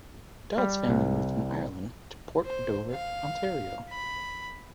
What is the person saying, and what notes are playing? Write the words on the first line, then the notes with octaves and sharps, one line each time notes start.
Dodd's family moved from Ireland to Port Dover, Ontario.
G3
C2
C5
F5
B5